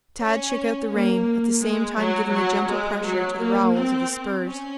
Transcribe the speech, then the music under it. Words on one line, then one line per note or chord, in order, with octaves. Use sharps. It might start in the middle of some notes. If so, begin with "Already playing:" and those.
Tad shook out the rein, at the same time giving a gentle pressure to the rowels of his spurs.
C#4
A#3
G#3
F#3
F#3
G#3
F#3
A#3
C4
C#4